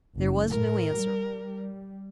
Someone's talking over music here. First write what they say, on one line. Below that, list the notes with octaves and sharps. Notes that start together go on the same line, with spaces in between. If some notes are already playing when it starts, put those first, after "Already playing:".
There was no answer.
F#1
A2 A#4
G3